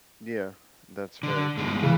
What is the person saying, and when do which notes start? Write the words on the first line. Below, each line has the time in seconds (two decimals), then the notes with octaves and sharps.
Yeah, that's very true.
1.23 D3
1.57 G2 B2 G#3
1.82 C#3 E3